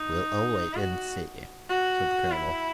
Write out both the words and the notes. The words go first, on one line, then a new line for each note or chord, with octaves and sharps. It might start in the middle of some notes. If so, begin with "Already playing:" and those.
"We'll all wait and see," said the colonel.
Already playing: D#4
F#4
F#4
E4